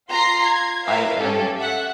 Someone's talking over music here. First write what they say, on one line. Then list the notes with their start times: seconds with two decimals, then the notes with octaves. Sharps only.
I am
0.10 F4 A#5 C6 A#6 C7
0.44 G#6
0.84 A#4 B4 E5 F5
1.17 C#4 G4 A4
1.57 E5 F#5